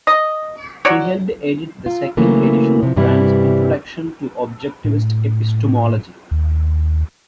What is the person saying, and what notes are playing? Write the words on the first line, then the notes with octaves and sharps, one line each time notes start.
He helped edit the second edition of Rand's "Introduction to Objectivist Epistemology".
D#5
F#3 C#5 D5
F4
C#3 E3 F#3 A3 A#3
C3 F3
G2 C3 E3 G3 E4
A2
D#2